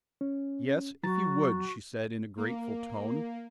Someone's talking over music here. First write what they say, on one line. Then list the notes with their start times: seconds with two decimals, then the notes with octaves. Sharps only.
"Yes, if you would," she said in a grateful tone.
0.21 C#4
1.03 F#3 F#4 A#5 A6
2.37 A#3